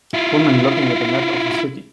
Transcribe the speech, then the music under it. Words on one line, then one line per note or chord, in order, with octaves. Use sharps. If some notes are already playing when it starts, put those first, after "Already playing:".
Woman looking at a map of a city.
E4 F4